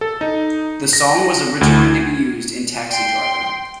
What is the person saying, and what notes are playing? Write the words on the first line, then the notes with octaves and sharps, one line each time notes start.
The song was originally to be used in "Taxi Driver".
A4
D#4
A#6
D2
G#6
G5 C6